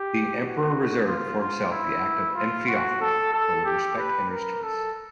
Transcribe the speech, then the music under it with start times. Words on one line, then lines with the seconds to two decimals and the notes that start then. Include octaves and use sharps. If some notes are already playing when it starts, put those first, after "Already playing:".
The emperor reserved for himself the act of enfeoffment but would respect Henry's choice.
Already playing: G4
0.42 F#4
1.06 F4
1.39 F4
1.72 E4
2.36 F4
2.68 F#4
3.01 A4
3.33 A4
3.65 G4
3.98 B4
4.30 A#4
4.62 A4